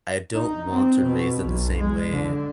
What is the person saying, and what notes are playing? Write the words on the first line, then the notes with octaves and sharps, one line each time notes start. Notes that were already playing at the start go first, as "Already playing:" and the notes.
I don't want to raise them the same way
D#4
C4
B2
B1
G#3
D3